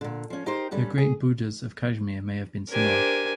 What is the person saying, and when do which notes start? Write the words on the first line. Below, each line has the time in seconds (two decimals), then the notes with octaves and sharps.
The great Buddhas of Kashmir may have been similar.
0.01 A#2 D3
0.30 F3 C#4
0.46 D#4 G4 A#4 C5
0.71 G2 D3 G3 C#4
0.98 G#4
2.69 D4 G4 A#4 C5 G#5